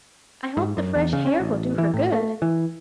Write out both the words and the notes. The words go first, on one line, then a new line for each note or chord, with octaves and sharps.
"I hope the fresh h'air will do her good."
G#2
F#2
E2
C#3
C#4
A1
E3
A2
A3
E3